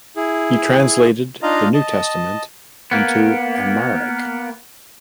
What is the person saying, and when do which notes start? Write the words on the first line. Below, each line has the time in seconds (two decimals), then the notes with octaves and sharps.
He translated the New Testament into Amharic.
0.16 E4 G#4
1.42 D4 D#4 F4 D#5 F5 A#5
1.74 D#5 A5
2.91 A#3 B3